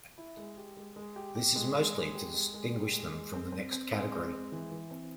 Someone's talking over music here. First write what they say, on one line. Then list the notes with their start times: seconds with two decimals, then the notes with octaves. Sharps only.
This is mostly to distinguish them from the next category.
0.18 E4
0.37 G#3
0.57 G4
0.77 G#3
0.96 G#3
1.16 G4
1.35 G4
1.55 G#3
1.75 G#3
1.95 G#3
2.15 G4
2.34 G#3
2.54 G#3
2.73 G4
2.93 G#3
3.13 G#3
3.34 C4
3.52 C4
3.72 C4
3.92 G#3
4.12 C4
4.32 G#3
4.52 E3
4.72 E3
4.91 C4